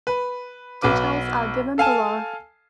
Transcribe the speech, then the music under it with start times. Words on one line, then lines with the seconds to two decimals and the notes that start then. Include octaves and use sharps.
Details are given below.
0.07 B4
0.82 B1 F#4 B4 D6
1.78 A4 F5 G#5 A5